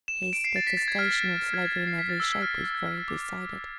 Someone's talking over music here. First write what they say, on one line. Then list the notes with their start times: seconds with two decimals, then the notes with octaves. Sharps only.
His detestation of slavery in every shape was very decided.
0.08 E7
0.23 E7
0.33 D7
0.44 C7
0.56 A6
0.67 B6
0.77 A6
0.88 G#6
0.99 F6
1.54 G#6
1.65 G#6
1.77 A6
1.87 C7
1.98 B6
2.09 A6
2.20 E6
2.31 E6
2.42 F6
2.64 F6
2.75 G#6
2.86 F6
2.98 E6
3.08 D6
3.20 D6